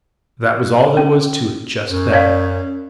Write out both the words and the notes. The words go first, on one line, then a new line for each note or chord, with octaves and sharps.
That was all there was to it--just that!
C#4
F#2
C#5 D5 F5